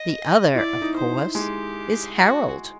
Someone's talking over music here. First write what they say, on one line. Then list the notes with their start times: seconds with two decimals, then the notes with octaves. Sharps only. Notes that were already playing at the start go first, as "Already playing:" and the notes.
The other, of course, is Harold.
Already playing: D#5
0.55 E4 D5
0.82 D#4
0.95 C5
1.35 G#3 G4
2.14 F#4